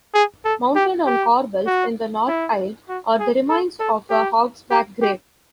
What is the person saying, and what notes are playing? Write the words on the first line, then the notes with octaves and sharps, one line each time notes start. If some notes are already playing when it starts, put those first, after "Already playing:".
Mounted on corbels in the north aisle are the remains of a hogsback grave.
G#4
A4
G4
G4
F#4
E4
F#4
G#4
A4
A4
G4
G4
G4